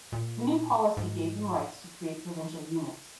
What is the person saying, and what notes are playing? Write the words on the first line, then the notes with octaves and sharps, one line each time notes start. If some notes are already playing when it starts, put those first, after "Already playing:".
The new policy gave them rights to create provincial units.
A#2
G#2